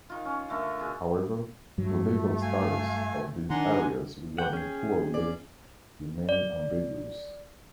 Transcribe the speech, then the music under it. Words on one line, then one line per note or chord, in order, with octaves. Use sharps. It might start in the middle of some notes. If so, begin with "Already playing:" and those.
However, the legal status of these areas regarding poor relief remained ambiguous.
D#3 F4
C#4
D3 A3 A#4 C#6
B2 G#4
G2 F#3 A3
F5 G#5
D#3 D4 F#5 G#5 A#5 C6
F#5 G5
C#4 G#4
D5
D5